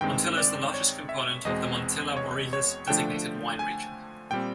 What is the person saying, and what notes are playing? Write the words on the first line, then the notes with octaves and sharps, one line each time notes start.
Montilla is the largest component of the Montilla-Moriles designated wine region.
G2 D#3 G#3 C4 G5
D5
C#5
E5
E2 B2 G#3 C4 D#5
C#5
C#5
D3 F3 A3 D4 G5
G#5
A#2 G3 C4 G5